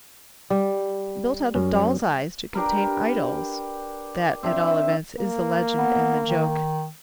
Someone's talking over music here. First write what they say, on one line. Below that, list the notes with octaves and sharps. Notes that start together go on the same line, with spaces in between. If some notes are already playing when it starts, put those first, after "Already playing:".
"Built out of doll's eyes to contain idols"--that, at all events, is the legend and the joke.
G3
F#2 C#4
D4 G4 A#4 B4
C4 D4 E5
A#3
B3
D#3